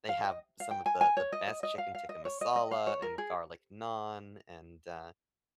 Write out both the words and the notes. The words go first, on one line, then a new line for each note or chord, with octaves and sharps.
they have some of the the best chicken tikka masala and garlic naan, and, uh,
F5
D#5
F5
G5
G#5
G#5
C#5
D#5
D#5
D#5
F5
F5
D#5
C#5
D#5
D#5
F5
C#5
A#4
G#4